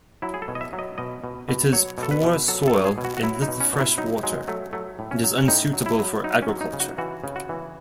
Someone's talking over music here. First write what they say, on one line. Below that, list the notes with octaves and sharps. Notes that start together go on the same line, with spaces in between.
It has poor soil and little fresh water, and is unsuitable for agriculture.
F#3 E4
G#4
A4
B2
D#5
E5
F#3
D#5
B2 D#5
B2
B2
F#3 C#5
B2
A4
B4
B2
F#3 A4
A4
F#3
G#4
B2
F#4
F#4
F#3 E4
D#4
B2
C#4
B2
E4
F#3 D#4
F#3 G#3
F#3 A3
F#3 A3
A2
C#4
F#3
C#4
A2 D#4
F#3
E4
F#3
F#3 D#4
C#4
F#3
D#4
C#3
F#4
E3 F#4
C#3
F#4
E3